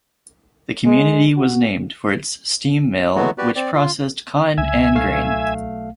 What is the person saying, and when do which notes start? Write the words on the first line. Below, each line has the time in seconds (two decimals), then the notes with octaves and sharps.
The community was named for its steam mill which processed cotton and grain.
0.86 G#3
1.36 F#4
3.16 E3 F#3 G#3 A3 B3 F#4
3.38 F#4 G4 B4 D5
3.55 C4 D5
3.74 F4
4.58 C#2 E5 G#5
4.95 B1 A3 F5